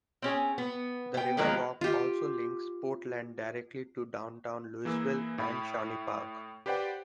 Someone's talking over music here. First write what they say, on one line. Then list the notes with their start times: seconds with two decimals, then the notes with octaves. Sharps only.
The River Walk also links Portland directly to Downtown Louisville and Shawnee Park.
0.22 C4 C#4 G#4
0.58 B3
1.14 B3 G5
1.37 D#3 F3 F#3 G#3 A#3 B3
1.81 F4 G4
4.85 E3 A#3 G#4 E6
5.38 A2 E4 B5
6.66 G4 B4 C5 D5 F#5 G5